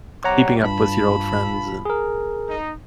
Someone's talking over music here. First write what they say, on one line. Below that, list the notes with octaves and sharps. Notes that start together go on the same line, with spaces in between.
keeping up with your old friends and
C3 G3 C#5 F#5 A#5
G2 F4 A5 B5
G#4 A#4
D#4